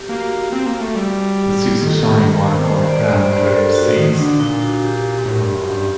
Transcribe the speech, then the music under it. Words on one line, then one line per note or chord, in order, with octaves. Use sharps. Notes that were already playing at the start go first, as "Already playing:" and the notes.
The seeds are shiny black or brown drift seeds.
Already playing: G4
A#3 F#4
F#4
D#4
F#4
C4
A#3
A3
G3
G4
D#3 A4
A#4
C5
C5
D5
G2 C5
D5
C5
A#4
A4
F#4
D#3 D#4
D#3
D3 D4
A#2 D#4
F#4
G4
A2 A#4
G2
F#2
G2 G4